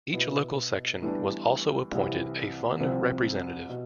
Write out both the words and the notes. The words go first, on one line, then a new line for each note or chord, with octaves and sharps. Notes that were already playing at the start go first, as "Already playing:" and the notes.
Each local section was also appointed a fund representative.
B2 B3 E4
A2 E3 G3 B3 D4
C2 C3 E3
C2 C3 F3 C4 G4
B2